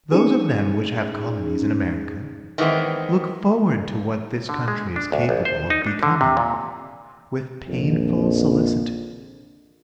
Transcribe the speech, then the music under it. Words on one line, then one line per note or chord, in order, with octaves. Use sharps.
Those of them which have colonies in America look forward to what this country is capable of becoming, with painful solicitude.
C#4 D#4 G#4
D#3 E3 G#3 B3 C4
D3
G#3
D4
D2
A#1
C5
D#4
D4
D3
C3
A#2
A#1 F2